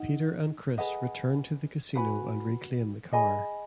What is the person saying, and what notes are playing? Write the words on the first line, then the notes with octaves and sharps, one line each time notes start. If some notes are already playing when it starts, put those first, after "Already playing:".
Peter and Chris return to the casino and reclaim the car.
Already playing: D#4 F#5
G#4 B4 D#5 F#5
F#4 B4 G#5 B5
G#4 D#5 G#5 B5